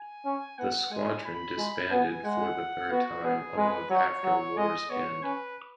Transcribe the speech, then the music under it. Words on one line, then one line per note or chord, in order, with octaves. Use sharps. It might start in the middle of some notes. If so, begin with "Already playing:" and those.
The squadron disbanded for the third time a month after war's end.
Already playing: G#5
C#4
B3 F#5
G#3 G#5
B5
G#3
B3 G#5
G#3 F#5
B3 F#4
B3 G#4
G#3 B4
F#3 C#5
F#3
G#3 D#5
B3 C#5
C#4 B4